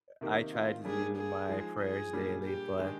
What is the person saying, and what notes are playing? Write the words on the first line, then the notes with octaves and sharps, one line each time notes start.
I try to do my prayers daily, but,
C3 D#3 A#3 D#4 G4
F4
G3 A#3 D4 G#4
G#4
F3 G#3 D#4
G#4
A#2 G3 D4
G4
D#3 G#3 D4